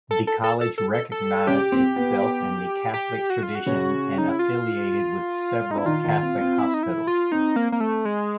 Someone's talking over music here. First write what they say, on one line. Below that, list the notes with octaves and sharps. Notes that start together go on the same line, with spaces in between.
The College recognized itself in the Catholic tradition and affiliated with several Catholic hospitals.
A4
A4
A4
A4
A4
A4
A4
C#3 C#4 G4
C4
B3
G4
F#4
F4
F#4
C#3 C#4
D#4
E4
F4
D#4
D4 E4
D#3 D#4 F4
D#3 D#4
C4
C4
E4
D#4
E4
F4
C4 D#4
A#3
A#3
A3
G#3